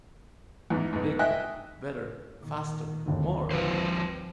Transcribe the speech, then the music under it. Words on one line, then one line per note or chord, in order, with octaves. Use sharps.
Bigger, Better, Faster, More!
E2 G#2
B1 G#2
D#5 E5 G5 G#5 F#6
A#2 D#3
G#1 D#2 D3
F3 C4 B4 C5